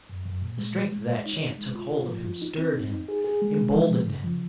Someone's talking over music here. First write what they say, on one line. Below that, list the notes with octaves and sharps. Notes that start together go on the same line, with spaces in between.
The strength of that chant took hold of him, stirred him, emboldened him.
F#2
F#2
A#2
G#3
G#3
G#3
C#5
D#4
D#4
G#3
F4
F4
F3
F4
D#4
C4
D#4
D#4
G#4
G#4
G#3
G#3
F3
C#3
C#3
F3